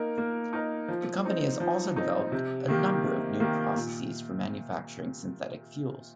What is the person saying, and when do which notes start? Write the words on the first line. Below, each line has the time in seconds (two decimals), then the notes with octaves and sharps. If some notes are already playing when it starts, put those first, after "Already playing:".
The company has also developed a number of new processes for manufacturing synthetic fuels.
Already playing: A#3 D#4 A#4
0.18 A#3
0.53 D#4 A#4
0.88 F3
1.25 C4 D#4
1.60 F3
1.96 C4 D#4
2.32 C3
2.68 D#3 A#3 G4
3.03 C3
3.40 D#3 A#3 G4
3.76 A#2